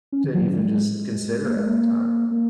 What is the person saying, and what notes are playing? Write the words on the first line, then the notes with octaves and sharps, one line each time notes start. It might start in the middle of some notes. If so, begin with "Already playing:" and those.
to even just consider at the time.
C#4
D#3
F#3
F#3
G#3
A#3
G#3
A#3
A#3